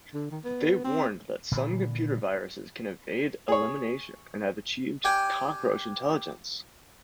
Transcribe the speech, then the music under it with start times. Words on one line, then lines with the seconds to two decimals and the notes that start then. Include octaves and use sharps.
They warned that some computer viruses can evade elimination and have achieved cockroach intelligence.
0.14 D3
0.31 D#3
0.44 B3
0.84 C4
1.52 A#2 D3 E3
3.48 G#4 C#5
5.04 D4 G4 G5 G#5